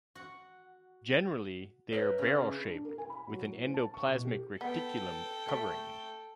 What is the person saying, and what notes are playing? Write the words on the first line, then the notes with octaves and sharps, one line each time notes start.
Generally, they are barrel shaped, with an endoplasmic reticulum covering.
F#4 F#5
A#4 B4 C#5 E5
C#3 C#4 E4
D4
A#4
G#5
B5
F#3
A2
C5
A5
C#6
B2
G4
B3 A4 G5
A3